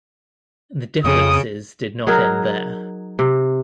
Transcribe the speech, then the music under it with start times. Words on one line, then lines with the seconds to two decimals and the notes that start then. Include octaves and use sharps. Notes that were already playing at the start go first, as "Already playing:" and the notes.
The differences did not end there.
1.04 F2 C#3 D#6
2.07 F#3 D#4 G#4 A#4
3.19 C3